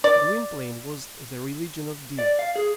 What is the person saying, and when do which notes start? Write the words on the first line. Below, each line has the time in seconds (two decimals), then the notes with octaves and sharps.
Gwynplaine was the religion of Dea.
0.04 D5
2.19 D5
2.39 F5
2.56 G#4